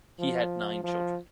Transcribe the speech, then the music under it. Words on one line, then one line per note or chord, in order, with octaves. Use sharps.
He had nine children.
F3
F3